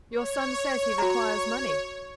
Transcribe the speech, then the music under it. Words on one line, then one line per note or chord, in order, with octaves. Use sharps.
"Your son says he requires money."
C#5
F#4 A#5